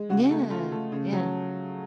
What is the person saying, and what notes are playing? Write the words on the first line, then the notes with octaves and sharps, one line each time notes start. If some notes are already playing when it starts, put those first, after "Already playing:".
Yeah, yeah.
Already playing: G#3
C#3 F#4
A3
A3 F4
A3
C#3
F#3